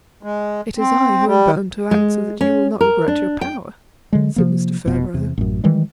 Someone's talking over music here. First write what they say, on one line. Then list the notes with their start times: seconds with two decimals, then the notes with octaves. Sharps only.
"It is I who am bound to act so that you will not regret your power," said Mr. Farebrother.
0.23 G#3
0.78 C4
1.27 G3
1.91 G#3
2.41 C#4
2.81 A#4
3.08 D4
3.41 G5
4.13 D3 F#3 G#3
4.36 C3 F3 A#3
4.86 F1 B2
5.14 E2 C3
5.38 A1 F#2
5.64 D#3 E3 G3 G#3